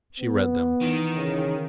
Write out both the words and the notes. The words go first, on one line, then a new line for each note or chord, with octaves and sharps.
She read them.
B3
D#3 E3
C#3